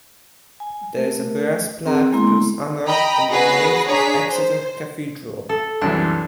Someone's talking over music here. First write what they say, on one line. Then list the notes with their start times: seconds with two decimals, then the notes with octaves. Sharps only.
There is a brass plaque to his honour in the Nave of Exeter Cathedral.
0.60 G#5
0.97 A3 A#4
1.86 C4 G#4 A#4 A#5
2.12 G#3 A#3 B3 E4 A#5 C6
2.88 D#5 G5 A#5 B5
3.30 B3 F#4 G#4 B4 A#6 C7
3.88 D4 G#4 C#5 A#5 B6
4.29 C5
5.49 A4
5.81 C2 F#2 E3 D4